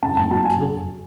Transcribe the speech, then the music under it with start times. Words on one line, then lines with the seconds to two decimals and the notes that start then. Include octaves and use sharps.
"For ye would kill him."
0.02 C#3 A5
0.16 F#1 A5
0.31 F#3 A5
0.45 G#5